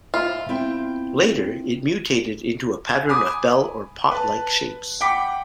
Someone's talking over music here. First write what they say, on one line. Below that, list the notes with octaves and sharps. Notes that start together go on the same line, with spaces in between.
Later it mutated into a pattern of bell or pot-like shapes.
F4 E5
C4 E4 G5
G#5 B5 D6 D#6
B4 A5
F#5 G5 B5 D6 B6 C#7